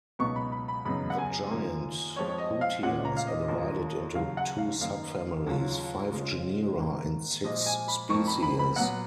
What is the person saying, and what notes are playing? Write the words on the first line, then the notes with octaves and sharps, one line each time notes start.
The giant hutias are divided into two subfamilies, five genera, and six species.
C#2 B2 F#3 B3 D#4 C#6
B5
B5
B5
F#2 C#3 F#3 B3 D#4 B5
F#5
G#5
F#2 D#3 A#3 F4
F2 F3 G#3 C#5
C#5
D#5
F5
A#2 G#3 C#4 F4 F#5
A#5
F5
D#5
D#2 D#3 A#3 F4
D#2 C#3 F#3 F5
F#5
F5
F#2 D#3 A#3 D#4 F5
D#2 C#3 F#3 C#4 F4
C#3 G#3 C#4 F4
G#2 D#3 A#3
A#2 F3 G#3 D#5
G#5
B5
F2 F3 A#3 C#6
B5
B5
B5
A#2 F#3 B3 F#5